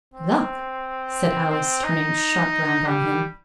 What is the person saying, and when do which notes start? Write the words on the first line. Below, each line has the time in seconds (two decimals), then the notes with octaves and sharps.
'Luck!' said Alice, turning sharp round on him.
0.14 C4
1.50 C4
1.84 D#4
2.86 G3